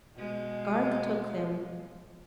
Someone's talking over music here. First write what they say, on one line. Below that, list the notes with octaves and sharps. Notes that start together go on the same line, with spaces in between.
Garth took them.
B2 G#3